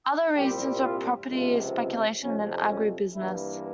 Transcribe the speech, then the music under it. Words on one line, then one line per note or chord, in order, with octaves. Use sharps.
Other reasons were property speculation and agribusiness.
C2 A#2 G3 C4 G4
F4
C#2 C3 F3 C4 F4
F2 C3 F3 C#4
C#4
G2 E3 A#3 E4